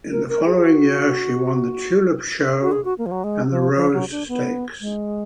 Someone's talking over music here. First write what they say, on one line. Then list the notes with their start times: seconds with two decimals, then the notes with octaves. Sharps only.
In the following year she won the Tulip Sho and the Rose Stakes.
0.12 A#4
0.29 A#4
0.46 G#4
0.57 G#4
0.63 F#4
2.62 F#4
2.72 G#4
2.85 F#4
2.98 A#3
3.06 F3
3.11 F#3
3.24 G#3
3.51 F3
3.76 F3
3.93 F#3
4.11 D4
4.28 B3
4.81 G#3